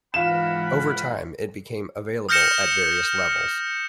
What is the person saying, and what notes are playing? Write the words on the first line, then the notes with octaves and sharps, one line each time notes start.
Over time it became available at various levels.
G#2 E3 F4 A#4 F#5 B5 E7
D#6 F6 G6 A#6 C#7 E7